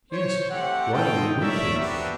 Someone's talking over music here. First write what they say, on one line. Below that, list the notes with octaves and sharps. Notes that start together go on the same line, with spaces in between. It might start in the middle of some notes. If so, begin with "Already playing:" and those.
'Yes, why are you weeping?'
C5 C#5
A3 C4 G4 F#5
F4 A4 D#5 G5
A3 A#4 C#5 D5 E5
B3 C4 D4 F#4 G4 B4